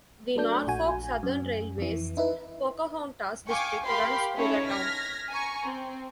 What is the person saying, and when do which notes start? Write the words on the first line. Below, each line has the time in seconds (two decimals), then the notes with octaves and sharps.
The Norfolk Southern Railway's Pocahontas District runs through the town.
0.36 F#3 A3 D4 G6
0.67 A#1 F#4 G#5
1.23 F#2
1.78 F2 E3
2.17 D#4 E4 B4
3.49 F5 G5 G#5 C#6 D6
3.84 G4 A#4 F5 G5 B5 C6
4.36 C#4 D#4 E4 G#4 A4 C#5
4.69 F6 G#6 A#6 B6
5.30 G#5 A#5 C#6
5.64 C4